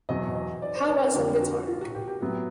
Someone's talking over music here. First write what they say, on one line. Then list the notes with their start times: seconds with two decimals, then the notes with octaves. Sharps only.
How about some guitar?
0.09 E2 B2 F#3 D#5
0.35 D#5
0.62 D5
0.75 C5
0.88 B4
1.02 A#4
1.15 F2 D3 F3 G4
1.42 F#4
1.68 F4
1.81 F#4
1.95 G4
2.08 G4
2.21 A2 F#3 B3 F#4